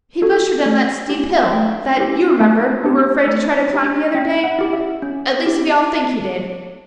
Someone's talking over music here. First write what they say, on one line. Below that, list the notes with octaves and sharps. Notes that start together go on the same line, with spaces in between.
"He pushed her down that steep hill that you remember you were afraid to try to climb the other day; at least we all think he did."
F#4 A4
A3
C#4 E4 G4
A3 G5
C#4 E4 G4
A3
D4 G4
A3
D4 G4
C#4 G5
F#5
E4 G4
E5
C#4
E4 G4